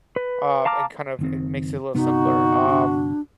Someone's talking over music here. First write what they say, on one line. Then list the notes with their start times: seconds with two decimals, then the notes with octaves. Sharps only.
um, and kind of it makes it a little simpler. Um,
0.16 B4
0.65 F5 A5 A#5 D6 F6
1.19 F#1 D#3 C4
1.95 G1 C3 B3 D#4 F#4
2.69 D4